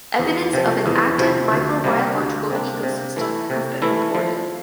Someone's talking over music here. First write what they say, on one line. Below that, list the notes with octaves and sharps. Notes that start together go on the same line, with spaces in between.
Evidence of an active microbiological ecosystem have been reported.
E2
C3 F3
E2
C3 F3
D2
C3 G3 A#3 D4
D2
C3 G3 A#3 D4
C3
E3 A3 E4
C3
E3 A3 E4
F3